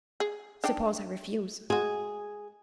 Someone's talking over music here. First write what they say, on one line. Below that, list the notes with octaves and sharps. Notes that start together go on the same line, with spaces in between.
"Suppose I refuse?"
G#4
D4 D#4 G5
G#3 F#4 G#4